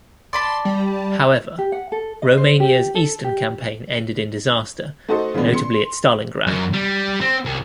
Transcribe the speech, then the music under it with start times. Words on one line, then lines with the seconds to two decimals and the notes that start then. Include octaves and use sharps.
However, Romania's eastern campaign ended in disaster, notably at Stalingrad.
0.33 D5 A5 B5 C6
0.65 G3
1.58 G4
1.72 F#5
1.92 A4
2.22 D#5
2.37 C5
2.60 G4
2.95 A4
3.24 G4
5.09 A3 D#4 F#4 A4 C5 D#5
5.34 C#3 E3 G#3 B3 D4
5.53 C6 C#7
6.47 F#2
6.73 G3
7.21 C4
7.45 C2